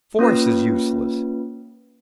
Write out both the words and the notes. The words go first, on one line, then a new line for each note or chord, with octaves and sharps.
Force is useless!
A#3 C#4 F4 B4